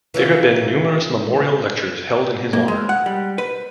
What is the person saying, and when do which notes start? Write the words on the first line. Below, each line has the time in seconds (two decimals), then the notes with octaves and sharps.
There have been numerous memorial lectures held in his honor.
0.14 E3 C#4 F4
2.53 A#3
2.68 G#3
2.89 F#5
3.06 G3
3.38 B4